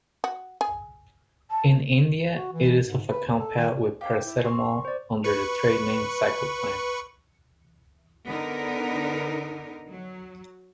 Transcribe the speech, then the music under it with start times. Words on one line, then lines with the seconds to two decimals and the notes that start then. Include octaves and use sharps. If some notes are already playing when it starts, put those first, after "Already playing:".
In India, it is of a compound with paracetamol under the trade name Cyclopam.
0.24 F#4
0.61 G#4
1.51 A5
2.35 F#4
2.52 E3
2.85 G#2
3.10 B4
3.27 D#2
3.39 A4
3.58 D#3
3.76 A#2
4.01 G4 F5 G5
4.25 E4
4.44 C4 C#5 C6 C#6
4.85 C5 D5
5.24 B4 C#6
8.26 D3 B3 D#4 A#4
9.90 F#3